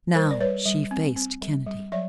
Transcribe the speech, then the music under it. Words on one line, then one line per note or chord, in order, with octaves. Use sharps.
Now she faced Kennedy.
G3 A#4 C5
D5
G3 B4 C#5
G3
C4
C4
G3
G3
F#3 D5 E5